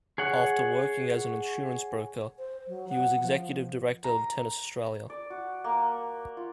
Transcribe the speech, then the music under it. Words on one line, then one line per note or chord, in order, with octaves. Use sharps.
After working as an insurance broker, he was executive director of Tennis Australia.
G#4 C#5 F#5
C5
F#3
F#5
F3
A#5
D5
F#4
A#3
F4